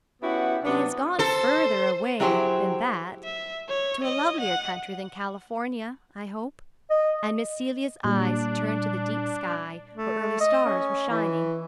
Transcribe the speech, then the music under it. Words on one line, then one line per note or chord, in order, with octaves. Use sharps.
"He has gone further away than that, to a lovelier country than California, I hope." And Miss Celia's eyes turned to the deep sky, where early stars were shining.
B3 C#4 E4 F#4 G4 F#5
C3 F#3 B3 D4
A4 C5
F#3 E4 G4 G#4 C5
E5
C#5
D#5
F#5
D#5
A#2 G3 D4
A3
D#5
C#4
E3